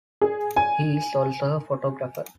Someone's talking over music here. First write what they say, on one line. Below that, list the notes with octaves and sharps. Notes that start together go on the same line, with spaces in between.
He is also a photographer.
G#4
G#5